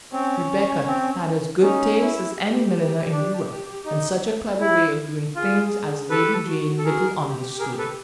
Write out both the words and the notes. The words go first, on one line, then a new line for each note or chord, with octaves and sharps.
Rebecca had as good taste as any milliner in Europe, and such a clever way of doing things as Lady Jane little understood.
C4 C#4
C4
C#4 D#4
E4
G4
D4
D#4
E4
F4 G#4
G4 A4 B4
F#4
A4
F#4 G#4 A#4
G4
G#4 A#4
A4 B4